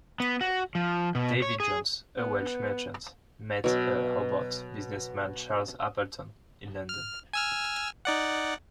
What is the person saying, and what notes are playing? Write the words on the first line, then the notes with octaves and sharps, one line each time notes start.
David Jones, a Welsh merchant, met a Hobart businessman Charles Appleton in London.
B3
F#4
F3
B2
C#5
G#4
B3
B2 F#3
F6
G#5 E6 F6
D#4 D5 F#5